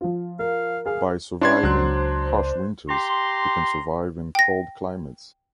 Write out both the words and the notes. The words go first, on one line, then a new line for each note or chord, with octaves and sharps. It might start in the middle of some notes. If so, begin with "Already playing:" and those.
By surviving harsh winters, they can survive in cold climates.
F3 F4
A#4 F5
G#4 F5
C#4 D4 E4 D5 C6 G#6
C#2 F#3 C5 F#6
G4 A#5 C6
G5 A#6